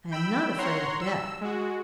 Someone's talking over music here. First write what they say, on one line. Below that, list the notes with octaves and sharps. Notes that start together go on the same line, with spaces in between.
I am not afraid of death.
G5 B5 E6
C#5 F#5 A#5 C6
E6
G#3 F#4